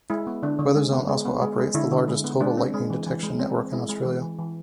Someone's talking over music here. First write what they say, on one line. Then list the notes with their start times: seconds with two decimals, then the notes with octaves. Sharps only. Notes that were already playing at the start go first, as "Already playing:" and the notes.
Weatherzone also operates the largest total lightning detection network in Australia.
0.10 G#3 E4
0.27 B3
0.43 D3 D4
0.59 D3
0.76 G#3
0.92 B3
1.09 G#3
1.25 B3
1.42 G#3
1.58 G#3
1.74 D3 E4
1.91 D3
2.08 G#3
2.24 B3
2.41 G#3 D4
2.57 C4
2.74 G#3
2.90 E3
3.06 E3
3.23 G#3
3.39 C4
3.56 G#3
3.72 G#3 E4
3.89 G#3
4.05 E3
4.21 E3
4.39 E3